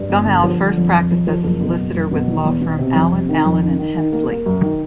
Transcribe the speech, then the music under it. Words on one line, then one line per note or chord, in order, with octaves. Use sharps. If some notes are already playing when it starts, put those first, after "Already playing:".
Gummow first practiced as a solicitor with law firm Allen Allen and Hemsley.
Already playing: G2
G1
D3
F3
D3
F2
F2
F2
F3
F#1
B2
F#1
F#1
B2
E2
E2
B2
C3
F2
C3
D#3
F2
D#3
D#3
D#3
A#3
A#3
F#2
D#3